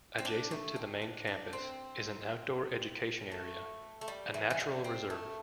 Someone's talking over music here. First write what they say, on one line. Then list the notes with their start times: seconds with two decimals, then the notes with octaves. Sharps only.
Adjacent to the main campus is an outdoor education area, a natural reserve.
0.18 C4
0.25 D4
0.51 A3
0.76 C4
1.02 D4
1.27 D4
1.53 C4
3.32 A3
4.01 A3
4.08 G3
4.34 E3
4.50 E3
4.60 G3
4.84 C4
5.10 A3